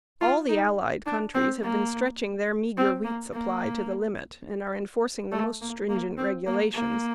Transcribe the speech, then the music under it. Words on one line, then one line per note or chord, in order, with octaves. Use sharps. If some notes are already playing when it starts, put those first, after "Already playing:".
All the Allied countries have been stretching their meagre wheat-supply to the limit and are enforcing the most stringent regulations.
F4
D#4
D4
C4
A#3
C4
A#3
A#3
A3
A#3
A#3
C4
A#3
A#3